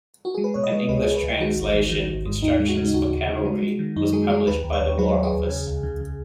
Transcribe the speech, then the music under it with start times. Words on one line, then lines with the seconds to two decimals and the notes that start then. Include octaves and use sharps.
An English translation, "Instructions for Cavalry", was published by the War Office.
0.25 F#4
0.34 G#3 G#4
0.44 B4
0.54 B2 C#5
0.63 D#5
0.72 G#3
0.89 C#2 B4
1.02 C#2 G#4
1.16 B4
1.23 C#2
1.40 D#3 F#4
1.57 G#1
1.74 D#3
1.91 D#3
2.09 G#1
2.25 G#2
2.42 D#2 D#4
2.60 G#3
2.69 F#4
2.77 C#3
2.85 D#4
2.94 D#2 F#4
3.10 D#2
3.27 C#3
3.45 G#3
3.62 G#3
3.79 D#3
3.96 F#2 D#4
4.13 G#3 G#4
4.30 G#3 G#4
4.47 D#2 B4
4.64 D#2
4.73 C#5
4.81 D#2
4.98 F#3 B4
5.15 D#2
5.23 G#4
5.33 D#2
5.49 C#3
5.67 C#2
5.83 C#3
6.00 C#3